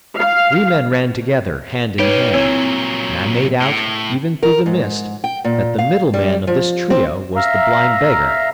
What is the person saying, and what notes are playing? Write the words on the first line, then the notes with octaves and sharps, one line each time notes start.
Three men ran together, hand in hand; and I made out, even through the mist, that the middle man of this trio was the blind beggar.
F5
C#4 D#4 G4 B4 C#5
A#2 F#3 C4 E4 C#5
A2
A#4
G#2
G5
A#2
F5
G3
F3
C4
E5 F5 A#5